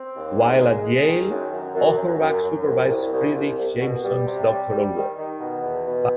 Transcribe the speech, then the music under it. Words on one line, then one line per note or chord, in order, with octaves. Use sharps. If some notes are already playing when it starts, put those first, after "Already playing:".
While at Yale, Auerbach supervised Fredric Jameson's doctoral work.
Already playing: C4
D#2
G#3
G#3
G#3
D#3
F#2
F#2
F#2
F#2
F#2
F#2
C2
C2
C2
C2
C2
B2
G3
C3
G3
G3
D#3
D#3
B2
E2
B2